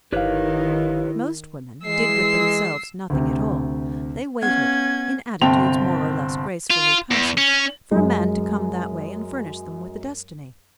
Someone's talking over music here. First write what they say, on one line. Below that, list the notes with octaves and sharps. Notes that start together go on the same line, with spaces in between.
Most women did with themselves nothing at all; they waited, in attitudes more or less gracefully passive, for a man to come that way and furnish them with a destiny.
G1 D#3 E4 G4 B4 C#5 F5
E3 G#3 E6 C7
D2 C3
B3 C#4 F#5 G#6
G1 C3 C4 G5 A5 F7
F4
E2
C#4
F#2 G#3